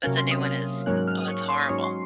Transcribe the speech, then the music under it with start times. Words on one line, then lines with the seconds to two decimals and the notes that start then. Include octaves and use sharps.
But the new one is Oh, it's horrible.
0.04 C3 F#3 A#3 C#4 F5
0.17 C6
0.31 D#6
0.45 F6
0.86 G#2 F#3 A#3 C#4 F#6
0.97 F#6
1.08 F6
1.18 D#6
1.28 C#6
1.49 C6
1.59 D#6
1.69 G#2 F#3 C#4 C#6
1.84 C6